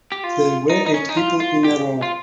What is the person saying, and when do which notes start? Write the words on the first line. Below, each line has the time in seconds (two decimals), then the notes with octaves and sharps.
There were eight people in a row.
0.12 G4
0.24 F4
0.70 D#4
0.86 D#4
0.94 C#4
1.09 D#4
1.17 F4
1.40 F4
1.64 G4
2.02 F4